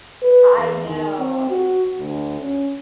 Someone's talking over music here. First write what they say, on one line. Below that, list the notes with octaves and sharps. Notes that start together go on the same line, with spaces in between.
I know. It's
B4
E2
D#3
C4
F#4
D2
C#4